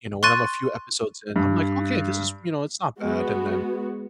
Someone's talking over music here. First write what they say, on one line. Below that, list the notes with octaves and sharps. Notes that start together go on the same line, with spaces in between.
you know, when I'm a few episodes in, I'm like, "Okay, this is, you know, it's not bad," and then,
C6 C#6 F#6 A6 D#7
G2
G#3 B3 F#4